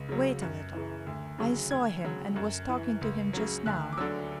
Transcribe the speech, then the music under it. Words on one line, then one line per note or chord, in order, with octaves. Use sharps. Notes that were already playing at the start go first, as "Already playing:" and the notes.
Wait a little: I saw him and was talking to him just now.
Already playing: C#2
C#3 F#3
F#2
C#3 E3
D2
C#3 F#3
D2 G#6
C#3 F#3
F#2
E3
C#2
C#3 F#3
D2 F#6
D6
D3 F#3 E6